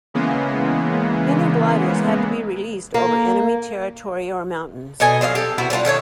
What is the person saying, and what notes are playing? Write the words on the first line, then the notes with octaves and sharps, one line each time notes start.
Many gliders had to be released over enemy territory or mountains.
C#3 E3 G#3 A#3 B3
A#3
B2 A4 D#5 G#5
F3 F#3 D5 F5
G4 A4
C3 B3 E4 F#4
G3 C#4 D4 F4
D#3 A3 C5 C#5